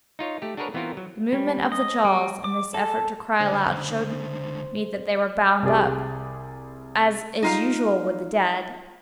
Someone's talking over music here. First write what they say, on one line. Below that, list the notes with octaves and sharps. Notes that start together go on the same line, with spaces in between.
The movement of the jaws, in this effort to cry aloud, showed me that they were bound up, as is usual with the dead.
D#4 F4 C#5
A3 G4
D4 F#4 G#4 A#4 B4 C#5
E3 B3 C4 F4 F#4 A#4
F#3
G3
D#5
G3
D6
A4
C#2 D3 C5
C2 G3 G#4 D5
D#4 F4 F5